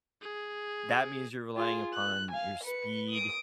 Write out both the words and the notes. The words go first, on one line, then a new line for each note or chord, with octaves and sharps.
that means you're relying upon your speed,
G#4
F4 G#4
F#6
F5 G#5
B4 C#7
D#6 D7